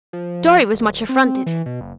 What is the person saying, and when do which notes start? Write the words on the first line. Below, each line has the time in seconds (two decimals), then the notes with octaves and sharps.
Dorry was much affronted.
0.13 F3
0.74 D1
1.09 C4
1.46 E3
1.66 B2
1.81 F#1